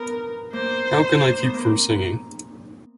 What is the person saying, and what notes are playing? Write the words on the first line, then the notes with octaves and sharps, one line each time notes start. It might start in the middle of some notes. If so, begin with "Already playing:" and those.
How Can I Keep from Singing?
Already playing: B3 A#4
A#3 C5
A#3
B3
A#3
C4